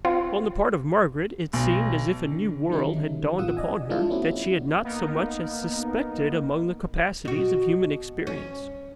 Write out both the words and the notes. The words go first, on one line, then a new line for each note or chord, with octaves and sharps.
On the part of Margaret, it seemed as if a new world had dawned upon her that she had not so much as suspected among the capacities of human experience.
C4 F4
B1
D3
D#3 F#3 G3 A3 C#4 D#4
A1 B3 F4 F#5 D#6 E6
D5 D#5 G#5
F3 G#3 D4 E4 F4
A#3 C4 C#4 E4 F#4
A#3 B3 D#4 A#4
B2 F#4
C#4